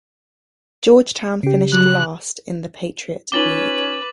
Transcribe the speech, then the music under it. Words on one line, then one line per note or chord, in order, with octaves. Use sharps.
Georgetown finished last in the Patriot League.
C#3 G4
F#3 F#6
C#4 D#4 F4 B4 D6 A6 F#7 G7